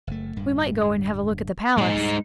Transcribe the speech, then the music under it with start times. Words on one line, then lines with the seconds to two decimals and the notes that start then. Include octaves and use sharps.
'We might go and have a look at the Palace.'
0.07 F#1 A3
0.36 D1 G2
1.77 A#2 G#3 D#4
1.95 D2 G#2 G3